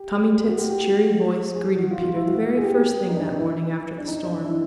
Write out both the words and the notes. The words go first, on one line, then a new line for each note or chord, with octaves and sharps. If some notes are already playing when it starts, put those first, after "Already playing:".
Tommy Tit's cheery voice greeted Peter the very first thing that morning after the storm.
Already playing: G4
F#4
G4
G4
F#4
G#4
F#4
F4
F4
E4
F#4
G#4
G4
G#4
G4
D#4
D4
D#4
E4
D4
D#4
D4
E4